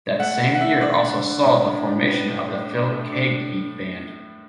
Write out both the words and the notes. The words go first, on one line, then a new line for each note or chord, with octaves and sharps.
That same year also saw the formation of the Phil Keaggy Band.
A3 F#5
E3
F#5
A3 E5
D4 D5
D3
D3
A2
D4
D4
A2 B4
A2
A2
D4
A3
D4